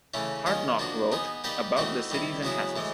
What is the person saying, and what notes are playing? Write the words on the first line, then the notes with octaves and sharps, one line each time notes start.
Hartknoch wrote: About the cities and castles.
C#3 E3 A3 C#4
D#3 G#3 C#4 F4 G#4
F3 A#3 D4 F#4
B3 D#4 G#4
A#3 D#4 G4 B4 D5
E3 A3 C4 D#4 F#4
D#3 G3 C4 E4
C#3 F#3 B3 E4 G#4
A2 E3 G#3